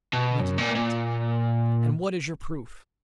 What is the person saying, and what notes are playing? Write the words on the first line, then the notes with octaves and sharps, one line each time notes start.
We deny it; and what is your proof'?
B2
F#2
A#2
A#2